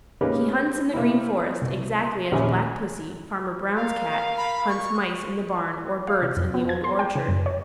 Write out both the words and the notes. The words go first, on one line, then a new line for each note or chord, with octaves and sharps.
He hunts in the Green Forest exactly as Black Pussy, Farmer Brown's Cat, hunts Mice in the barn or Birds in the Old Orchard.
A#3 C#4 D#4 G4 G#4 B4
C3 A#3 C4 E4
C2
A#1 D#2 C#4 G4 E5 G#5
A#4 F5
B5
C#6
F5
C3
F2
B3
G#6
C6
G5
C#3
F#2
C#5